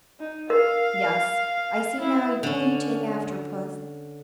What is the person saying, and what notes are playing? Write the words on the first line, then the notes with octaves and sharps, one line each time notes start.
'Yes, I see now who you take after, puss.
D#4
A#4 F5
E4
D3 C#4